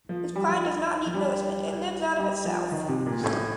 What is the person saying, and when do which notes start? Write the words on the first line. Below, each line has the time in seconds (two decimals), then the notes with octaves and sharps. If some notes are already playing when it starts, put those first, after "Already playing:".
His pride does not need nourishment; it lives out of itself.
0.09 F3
0.36 G3
0.49 F3
1.07 F3
1.14 G3
2.19 G3
2.45 F3
2.71 D#3
2.88 C3
3.06 A#2
3.23 A2